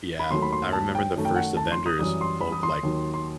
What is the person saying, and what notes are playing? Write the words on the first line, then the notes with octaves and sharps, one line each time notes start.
Yeah, I remember the first Avengers, Hulk, like
B5
D#2 D#3 F#3 A3 C6
B5
C6
A5
G5
F#2 D#3 A3
G5
F#5
A5
C6
D#6
F#2 E3 G3 D#6
C6
B5
D#6
C6
D#2 D#3 F#3
C6